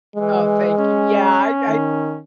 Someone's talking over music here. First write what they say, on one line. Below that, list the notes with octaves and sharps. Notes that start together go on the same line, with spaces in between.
Oh, thank you. Yeah. I I
E3 G#3
C#4
D#3